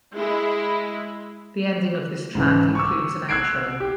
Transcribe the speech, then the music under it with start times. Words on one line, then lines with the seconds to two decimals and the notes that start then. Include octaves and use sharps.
The ending of this track includes an outro.
0.16 G#3 E4
2.35 G#2 C#3 E3
2.75 C#6 D6 E6
3.29 E6 F#6 G#6 C7 D7
3.80 G4